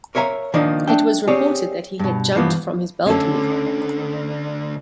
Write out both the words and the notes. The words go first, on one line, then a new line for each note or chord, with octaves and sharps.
It was reported that he had jumped from his balcony.
A#4 C#5 E5 F5 A#5
D#3 F3 A#3 D4 D#4
D4 E5 G5
C4 G4 G#4 C#5 D5
G2 B2
G2 E3 F3 B3
D2 D3 C#4 A4